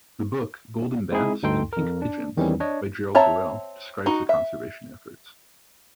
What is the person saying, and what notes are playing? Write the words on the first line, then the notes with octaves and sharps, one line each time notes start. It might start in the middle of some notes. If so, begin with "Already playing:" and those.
The book "Golden Bats and Pink Pigeons" by Gerald Durrell describes the conservation efforts.
G#3 C4 D#4 E4 G#4
D2 G2 D#4 A4 G5 C6
F2 A#4
D4
E2 D#3 E3 G3 C4 C#4
D4 C#5 D#5
C4 C#5 E5 A5 A#5
D#4 F#4
E5